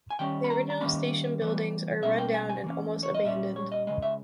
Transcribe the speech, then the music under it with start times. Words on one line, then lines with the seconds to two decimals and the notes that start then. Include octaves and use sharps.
The original station buildings are rundown and almost abandoned.
0.10 G#5
0.19 D#3 G3 C#4 G5
0.44 B5
0.50 A#5
0.70 A#5
0.81 D#3 G3 A#3 C#4 B5
1.42 E3 G3 B3
2.03 B2 G3 A#3 C#4 E5
2.18 G5
2.34 G#5
2.49 G#5
2.64 E3 A#3 C#4
3.03 C#5
3.15 D#5
3.25 A#2 G3 C#4 E5
3.56 C#5
3.72 D#5
3.87 C#3 E3 G#3 D#5
4.02 E5